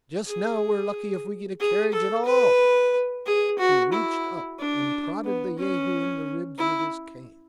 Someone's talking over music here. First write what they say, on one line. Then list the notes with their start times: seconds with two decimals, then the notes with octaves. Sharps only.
"Just now we're lucky if we get a carriage at all." He reached up and prodded the jehu in the ribs with his cane.
0.26 G#4
1.60 G#4
1.93 A4
2.25 B4
3.26 G#4
3.59 F#4
3.92 E4
4.59 D4
5.24 B3
5.58 C#4
6.58 E4